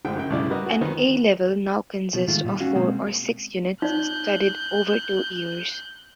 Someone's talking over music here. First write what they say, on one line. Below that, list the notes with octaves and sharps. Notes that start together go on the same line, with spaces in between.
An A Level now consists of four or six units studied over two years.
A1 G#2 D3 F3 G#4 G5
A#1 C#3 G5
B1 G2 C#3 E4 D5
G3 F#4 A#4 B4 D#5
F#4 G#5
D#3 F3 F#3 B3
B2 F3
G#2 D#3 G#3 A3 F4
A#2 D#3 G3
C#4 F#4 F5
B2 G#3 A#3 C4
D#4 D5 F#6 G6